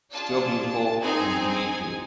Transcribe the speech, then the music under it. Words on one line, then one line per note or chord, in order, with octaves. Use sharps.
Still beautiful in beauty too.
D4 F4 G#4 A5
C4 D#4 G#4 G#5
G#5